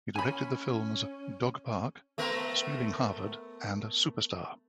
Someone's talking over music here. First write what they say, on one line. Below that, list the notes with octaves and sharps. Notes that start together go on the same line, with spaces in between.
He directed the films "Dog Park", "Stealing Harvard" and "Superstar".
C#4 G#5 B5
A3 B3 A#4